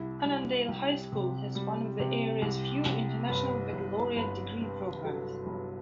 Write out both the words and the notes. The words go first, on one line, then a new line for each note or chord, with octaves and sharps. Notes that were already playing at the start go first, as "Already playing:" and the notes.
Annandale High School has one of the area's few International Baccalaureate Degree programs.
Already playing: C2 E4
G3
C2 G4
C3
G3
C3
C2
C2
G1 B4
G1
G1 B4
G2
F#3 A4
G1